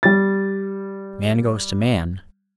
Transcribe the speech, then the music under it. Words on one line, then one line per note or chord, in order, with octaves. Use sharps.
Man goes to Man!
G3 A6